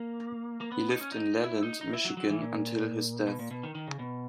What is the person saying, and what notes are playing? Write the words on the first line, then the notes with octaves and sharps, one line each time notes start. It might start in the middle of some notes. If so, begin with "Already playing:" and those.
He lived in Leland, Michigan until his death.
Already playing: A#3
A#3
B3
D#4
C#4
D#4
E4
D#4
D#4
E4
F#3
F#3
E3
A#2
B2
A#2
B2
D#3
D#3
C#3
B2